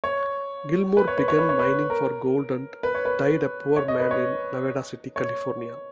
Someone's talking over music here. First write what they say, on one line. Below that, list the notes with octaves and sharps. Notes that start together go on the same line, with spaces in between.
Gilmore began mining for gold and died a poor man in Nevada City, California.
C#5
B4
C#5
B4
C#5
B4
C#5
B4
A#4
B4
C#5
B4
C#5
D#5
B4
C#5
C#5